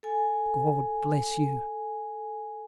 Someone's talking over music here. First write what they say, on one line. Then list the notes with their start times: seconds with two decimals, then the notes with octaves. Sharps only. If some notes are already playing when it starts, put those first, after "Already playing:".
God bless you!'
0.03 A4 G#5